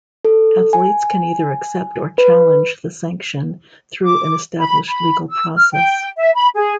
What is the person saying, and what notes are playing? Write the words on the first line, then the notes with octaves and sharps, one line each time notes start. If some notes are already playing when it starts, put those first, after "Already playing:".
Athletes can either accept or challenge the sanction through an established legal process.
A4
G#5
B4
D6
B5
B5
E6
F6
G5
E5
B5
G#4